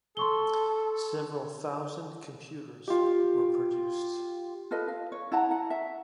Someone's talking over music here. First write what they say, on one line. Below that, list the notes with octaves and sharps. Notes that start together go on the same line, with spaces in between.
Several thousand computers were produced.
A4 C6 C#6 G7
F4 G4
F4 A4 B4 D#5
F5
C#5
E4 F#5 A5 A#5
F#5
E5